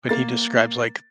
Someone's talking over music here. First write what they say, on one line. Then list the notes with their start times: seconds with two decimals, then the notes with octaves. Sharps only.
When he describes, like,
0.09 A#3 A6